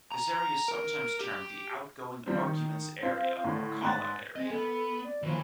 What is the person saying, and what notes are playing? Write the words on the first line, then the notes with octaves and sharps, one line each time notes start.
This area is sometimes termed the "outgoing arguments area" or "callout area".
A#5
A#4
G4
F3 G3 C4
D#3
C4 F4
A2 D3
G#2 F#6 A6
C4 G#4 D#5
B3 A4
D5
D#2 E3 F3